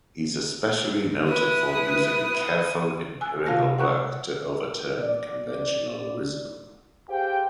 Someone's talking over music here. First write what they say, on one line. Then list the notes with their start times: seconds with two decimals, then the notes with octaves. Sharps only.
He's especially noted for using careful empirical work to overturn conventional wisdom.
1.27 E4 B4 D#6
3.21 G#5 E6 F#6
3.46 C3 F4 F5 A5 A#6
3.78 F#5 C#6 F#6
5.00 D5
7.08 G4 G#4 C5 F5 G5